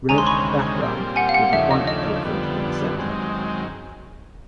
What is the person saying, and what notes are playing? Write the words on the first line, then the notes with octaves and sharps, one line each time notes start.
Red background with a White elephant in the center.
D2 C3 D#3 G#3 C#4 G#5 A#5
C6
B5 C#6
A#2 G3 C4
F#5 G#5
F5
F#5
D#2 C#3 F3 A3 D4 E5
D#5
D#5
F2 D3 G3 B3
F#2 D#3 G#3 C4